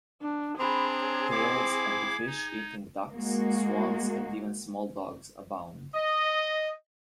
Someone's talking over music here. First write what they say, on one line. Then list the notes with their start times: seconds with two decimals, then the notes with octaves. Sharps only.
Tales of the fish eating ducks, swans and even small dogs abound.
0.22 D4
0.59 C4 D4 G#4 A#5 B5
1.00 C#5
1.31 E4 F5 D6
1.79 G#6
2.27 D#4
3.14 G#3 A#3 F#4
5.94 D#5